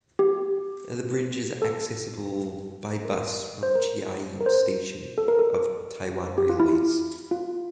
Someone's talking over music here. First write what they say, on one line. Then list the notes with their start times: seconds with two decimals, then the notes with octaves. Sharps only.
The bridge is accessible by bus from Chiayi Station of Taiwan Railways.
0.19 G4
1.62 A4
3.05 A#4
3.63 C5
3.75 A#4
4.41 A#4
4.46 C5
5.18 A4
5.28 A#4
5.39 A4
6.38 G4
6.49 F4
6.60 E4
7.31 F4